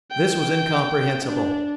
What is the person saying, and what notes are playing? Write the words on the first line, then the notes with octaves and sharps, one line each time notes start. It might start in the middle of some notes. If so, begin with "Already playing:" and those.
This was incomprehensible.
G5
D4